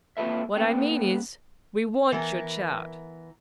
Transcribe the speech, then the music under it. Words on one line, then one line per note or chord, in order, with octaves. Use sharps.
What I mean is, we want your chart.
A#3 C4 F4 A4 B4 E5
A#3 B3 C#4 A4 G5
E3 B3 A#4